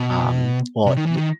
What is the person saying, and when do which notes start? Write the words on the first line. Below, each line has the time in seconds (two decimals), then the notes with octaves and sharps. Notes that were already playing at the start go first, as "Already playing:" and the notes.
Um, well, D
Already playing: B2
0.86 C3
0.97 D#3
1.06 E3
1.17 D#3